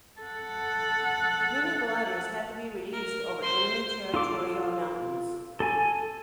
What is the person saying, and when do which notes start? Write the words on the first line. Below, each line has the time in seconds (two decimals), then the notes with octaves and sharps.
Many gliders had to be released over enemy territory or mountains.
0.21 A4 F#5
2.93 A#4
3.42 C5 C6
4.14 F4 A4 D6
5.60 A4 G#5